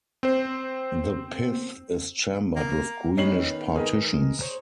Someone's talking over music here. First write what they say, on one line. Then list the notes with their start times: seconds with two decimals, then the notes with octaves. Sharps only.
The pith is chambered with greenish partitions.
0.23 C4 C5
2.56 A#3
3.17 D#3 B3 C#4 A#4 D#5 C7 F#7
3.76 G#2 G4 G#4 A#4 B4 D#5
4.40 C5 C#5